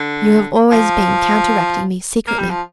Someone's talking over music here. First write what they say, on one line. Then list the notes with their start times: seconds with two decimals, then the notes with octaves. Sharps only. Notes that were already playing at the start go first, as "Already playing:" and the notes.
You have always been counteracting me secretly.
Already playing: D3
0.71 F3
2.27 A#3
2.38 G3
2.50 F3